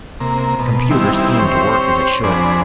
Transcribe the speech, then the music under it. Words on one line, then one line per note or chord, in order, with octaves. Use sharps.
The computer seemed to work as it should.
C3 A#3
B2
D#3 E3 G3 C4 E4
C4 G4 C5 C#5
F2 C4 D4 G#4 D5 B5